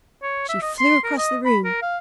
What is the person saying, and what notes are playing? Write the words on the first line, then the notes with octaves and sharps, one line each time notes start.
She flew across the room.
C#5
E5
D#5
C6
A#4
D#5
B5
A#4
F5